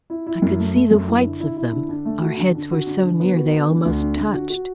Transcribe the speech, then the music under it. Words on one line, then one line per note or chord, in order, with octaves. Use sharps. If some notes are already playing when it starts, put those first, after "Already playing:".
I could see the whites of them; our heads were so near they almost touched.
E4
E4
F#2
A3
A3
F#2
E4
D3
E4
E4
D3
D3
A3
F#4
D3
D3
F#4
D3
D3
B3
F#4
B3
D3
D2
D3
D3
F#4
F#4